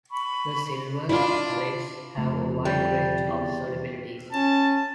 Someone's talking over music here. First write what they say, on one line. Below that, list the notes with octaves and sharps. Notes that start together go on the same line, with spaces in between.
The silver halides have a wide range of solubilities.
B5 C#6
D4 E4 F4
F2 C#3 A3
D3 G3
E2
C#4 A5